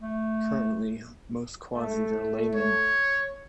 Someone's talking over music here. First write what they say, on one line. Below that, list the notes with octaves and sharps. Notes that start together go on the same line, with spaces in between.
Currently most Quazis are laymen.
A3
A3
C#5